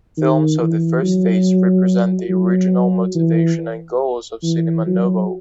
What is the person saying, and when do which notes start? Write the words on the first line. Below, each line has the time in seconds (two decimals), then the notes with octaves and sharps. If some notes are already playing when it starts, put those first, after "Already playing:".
Films of the first phase represent the original motivation and goals of Cinema Novo.
0.18 D#3
0.60 E3
1.03 F#3
2.30 F#3
3.15 E3
4.43 E3
4.86 F#3